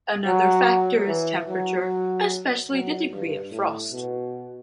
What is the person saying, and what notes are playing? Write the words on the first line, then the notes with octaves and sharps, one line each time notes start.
Another factor is temperature, especially the degree of frost.
F#3
E3
F#3
F#3
G2
A2
B2